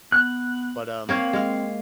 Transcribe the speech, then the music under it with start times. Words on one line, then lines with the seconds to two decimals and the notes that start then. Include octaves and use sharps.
But, um
0.12 B3 F#6
1.09 A#3 C4 C#5 F5
1.33 G#3 F5